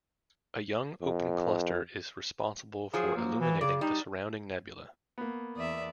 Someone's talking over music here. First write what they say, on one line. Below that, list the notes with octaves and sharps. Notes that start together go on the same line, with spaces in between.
A young open cluster is responsible for illuminating the surrounding nebula.
F2
F3 F#3 G#4
A#3
E3
C#3 D5
G3 D#4
A#3 B3
E2 D5 E5 D#6